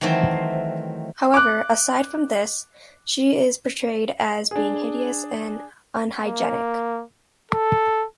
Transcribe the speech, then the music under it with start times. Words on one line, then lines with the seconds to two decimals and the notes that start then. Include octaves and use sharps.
However, aside from this, she is portrayed as being hideous and unhygienic.
0.01 D#3 E3 F#3 A3 C4 C5
1.34 D6 F#6
4.51 D4 G#4
6.24 A#3
7.52 A4